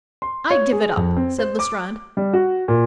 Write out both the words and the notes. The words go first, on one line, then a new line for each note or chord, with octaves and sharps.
"I give it up," said Lestrade.
C6
C#5
G#4
F2
C4
C5
D6
G3
F#4
A#2